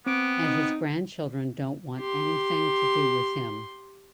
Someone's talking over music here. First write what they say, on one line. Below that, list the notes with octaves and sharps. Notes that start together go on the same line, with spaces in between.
And his grandchildren don't want anything to do with him.
B3 C4 D7
D#4
G4 C6